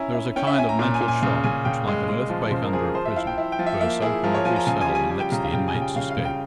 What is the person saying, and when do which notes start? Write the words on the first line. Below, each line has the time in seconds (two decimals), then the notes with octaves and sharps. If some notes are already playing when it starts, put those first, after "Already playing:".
There is a kind of mental shock which, like an earthquake under a prison, bursts open every cell and lets the inmates escape.
Already playing: C#4 E4 G#5 A#5
0.14 E4
0.36 C#4 G5
0.47 E5
0.57 E4 G#5
0.69 A#5
0.79 A#2 A#5
0.94 G#5
1.01 A#2
1.08 G#5
1.23 C#3 G#5
1.44 C#3 G#5
1.65 C#3 G5
1.87 G#3
2.08 G#3
2.30 F3
2.52 C#3 C5
2.62 A#4
2.73 F3 G#4
2.84 A#4
2.94 F3 C5
3.06 E5
3.16 E4 F5
3.27 G5
3.38 E4
3.52 G5
3.59 F3
3.66 E5
3.81 A#3 E5
4.02 E4 G#4
4.24 F3 A#4
4.34 C#5
4.45 F3 G#5
4.56 A#5
4.67 C#3 G#5
4.81 G#5
4.89 G3
4.95 G#5
5.10 G3 G#5
5.20 G5
5.31 C#3 A#5
5.44 F5
5.53 C#3 G5
5.68 G#5
5.74 C#3
5.81 G5
5.96 C#3 F5
6.10 F5
6.18 C#3
6.25 G5